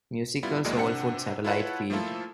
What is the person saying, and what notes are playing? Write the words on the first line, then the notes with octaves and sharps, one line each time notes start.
Musical Soul Food satellite feed.
G3 B3 E4 F4
D#2 F#3 G#3 A#3 E4 D5
C3 C4 D4 F#5 C#7
E4 F4 A4 B4 C#5 F#5
F3 A3 A#3 E4 F4 A4